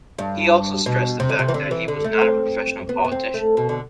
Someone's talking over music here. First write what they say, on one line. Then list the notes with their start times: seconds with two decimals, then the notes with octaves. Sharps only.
He also stressed the fact that he was not a professional politician.
0.19 G2
0.86 B2
1.20 C3
1.30 D3
1.39 C3
1.48 E3
1.54 D3
1.71 E3
1.88 D3
2.04 A3
2.22 C4
2.89 B3
3.04 B3
3.12 C4
3.34 A3
3.57 B2
3.69 D3